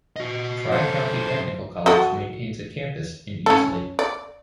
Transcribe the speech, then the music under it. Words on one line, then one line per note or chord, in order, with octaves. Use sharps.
Tri-County Technical College maintains a campus in Easley.
F#4 D#5
F#2 A4 C5
F#4 A4 D#5
C#4 A4
D5